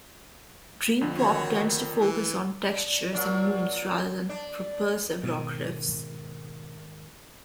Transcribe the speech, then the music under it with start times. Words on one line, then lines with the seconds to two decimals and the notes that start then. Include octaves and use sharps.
Dream pop tends to focus on textures and moods rather than propulsive rock riffs.
1.01 F2 D3
1.17 D#3 F#4 C#5
1.98 E3
2.68 D4
3.13 A#2 F#3 D4
4.29 D4
5.23 G#2 B2 D#3